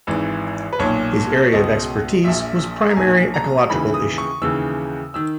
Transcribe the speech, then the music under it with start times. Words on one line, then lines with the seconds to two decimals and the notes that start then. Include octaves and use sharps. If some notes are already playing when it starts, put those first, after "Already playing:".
His area of expertise was primary ecological issues.
0.07 G#1 G#2 E3
0.73 B4
0.79 B1 A#2 C#5
1.52 C#2 B2 D#5
2.24 A#1 A#2 E5
2.90 A#5
2.97 B1 A#2 G#5
3.34 A#5
3.70 D#2 C#3 E3 B5
3.94 D#6
4.18 C#6
4.41 D#2 C#3 E3 E6
5.14 D#3 E6